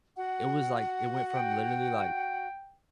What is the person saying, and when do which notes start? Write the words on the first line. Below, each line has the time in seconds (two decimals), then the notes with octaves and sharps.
it was like it went from literally, like
0.16 F#4 F#5
1.34 G5